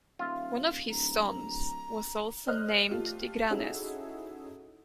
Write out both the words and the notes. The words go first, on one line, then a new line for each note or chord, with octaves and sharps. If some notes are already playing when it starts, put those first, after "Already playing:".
One of his sons was also named Tigranes.
D#1 F4 E5
D1 A#5
C5 D#5 F6 F#6
A3 F4 G4
C#4 D#4 E4 F#4 G#4 A4